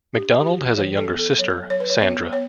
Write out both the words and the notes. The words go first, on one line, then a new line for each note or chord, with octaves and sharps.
McDonald has a younger sister, Sandra.
D4 G4
G4
E3 F#4
E3 C#5
A4
B3
A4
F#3 C#5
F#3 C#5
B4
C#5
B3 C#5
B3 C#5